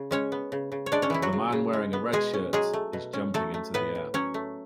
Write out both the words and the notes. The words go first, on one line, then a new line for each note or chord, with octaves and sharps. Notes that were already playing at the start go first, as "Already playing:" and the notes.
The man wearing a red shirt, is jumping into the air.
Already playing: C#3
G#3 C#4 C#5
B3
C#3
C#3
C#5
G#3 D4 D5
C#4 C#5
E3 B3 E4
F#3 F#4
C#3
C#3
G#3
B3
B2 G#3 G#4
C#4
F#3 G#3 G#4
A3
B2
C#4
F#3 A3 A4
A3
A2 B3 B4
A2
F#3 C#4 C#5
A3